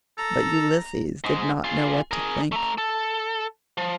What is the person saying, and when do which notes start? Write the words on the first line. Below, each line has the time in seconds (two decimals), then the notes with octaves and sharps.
But Ulysses did not know what to think.
0.18 A4 A#5
1.24 G#2 G#3
1.64 F4 G#4
2.11 G#4 A#4
2.52 A3 A#5
2.78 A4
3.78 F3